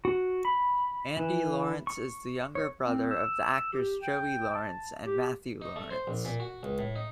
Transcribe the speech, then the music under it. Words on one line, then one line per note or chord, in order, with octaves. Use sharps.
Andy Lawrence is the younger brother of the actors Joey Lawrence and Matthew Lawrence.
F#4
B5
E3
C#6
C#5
C4
E6
G4
G5
A5
G4
D#4
A3
C5
A#1
A#2
F#4
C#2
A2
D#4